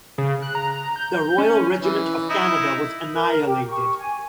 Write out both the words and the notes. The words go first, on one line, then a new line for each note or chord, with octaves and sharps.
The Royal Regiment of Canada was annihilated.
C#3
F#6
A#5
G6
C#4
E3
D#4 E4
A#4
G4
C#6
G#5